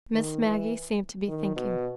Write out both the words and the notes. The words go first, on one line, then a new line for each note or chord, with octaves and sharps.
Miss Maggie seemed to be thinking.
D#3
E3
D#3
B2